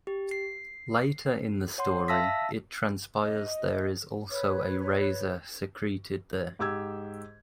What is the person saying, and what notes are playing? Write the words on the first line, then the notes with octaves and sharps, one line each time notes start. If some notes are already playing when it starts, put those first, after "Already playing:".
Later in the story it transpires there is also a razor secreted there.
G4
C7
C#5 F#5 C6
E5 F5 A5 E6 A#6 B6
D#5
B4 C#5
G#2 G4 E6 G#6